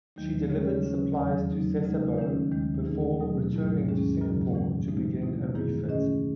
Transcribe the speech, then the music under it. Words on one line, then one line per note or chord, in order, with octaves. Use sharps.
She delivered supplies to Sasebo before returning to Singapore to begin a refit.
D#2 D#3 F#3 A3 D#4
C#3 G#3 C#4 G#4 C#5
C#3 F#3 C#4
E2 D#3 F#3
F#3 A3 D#4
C#3 G#3 D#4
D#3 A3 C#4
D#2 D#3 G#3
E3 A3 D#4 G#4
B2 F#3 A3
G#2 F#3 A3 E4
D#2 D#3 G#3 C#4 G#4
F#2 C#3 F#3
A2 E3 A3
E3 G#3 D#4
B2 A3 E4
F#2 D#3 A3 E4 G#4
D#3 A3 C#4 G#4 D#5